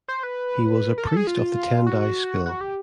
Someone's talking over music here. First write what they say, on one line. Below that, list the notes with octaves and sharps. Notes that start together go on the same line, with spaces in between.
He was a priest of the Tendai school.
C5
B4
A#4
A4
G#4
F4
F#4
F#4
G4